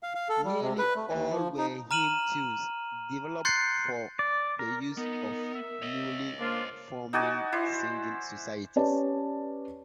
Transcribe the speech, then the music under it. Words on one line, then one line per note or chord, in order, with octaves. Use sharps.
Nearly all were hymn tunes, developed for the use of the newly-forming singing societies.
F5
F5
A4
G3
C3
B4
A3
D#2
F3
D#4
A#5 F6 D#7 E7 F#7
C6 F#6 G6 A6 C7 C#7
D5
A#4
B3 D#4 A#4
E5
C#5 D#5
A#3 D4 F4 C5
D#4 F#4 D5 G#5
E4 C5 D5
C#4 G4 B4 C#5 D5 A5